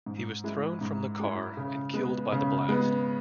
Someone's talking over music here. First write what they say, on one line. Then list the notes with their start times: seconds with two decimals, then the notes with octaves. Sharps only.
He was thrown from the car and killed by the blast.
0.06 G#2
0.44 G#3 E4
0.81 G#2
1.19 G#3 E4
1.57 C#3
1.94 G#3 B3
2.32 C#3
2.68 G#3 B3